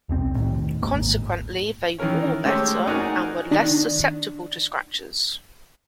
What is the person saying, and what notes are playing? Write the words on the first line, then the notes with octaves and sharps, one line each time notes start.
Consequently, they "wore" better, and were less susceptible to scratches.
E1 C2 C4
A2 D#3
D1 G#1 G#2 A#3
D#3 E3 C#4 A#4 C#5
G#3 A3 G4 C5 C#5
D#4 F#4 A#4 D5 F#5 G#5
D#3 D4